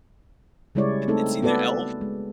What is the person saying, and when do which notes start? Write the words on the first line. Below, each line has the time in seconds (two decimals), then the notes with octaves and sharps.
It's either Elf
0.75 C#3 G3 G#3 E4 C#5 D5
1.08 A3 C4 D#4 A4
1.42 B3 F#4 A4 B4 D5
2.01 G#3